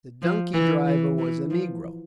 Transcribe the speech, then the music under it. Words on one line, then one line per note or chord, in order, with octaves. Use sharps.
The donkey-driver was a negro.
F3
E3
E3
E3
F3